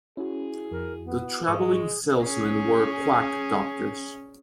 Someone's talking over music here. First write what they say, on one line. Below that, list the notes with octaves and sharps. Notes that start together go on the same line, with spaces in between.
The traveling salesmen were quack doctors.
C#4 E4 F#4 G#4
F2 A#4
B3
G#2 G#3 G#4 C#6 D#6
C#4 G#4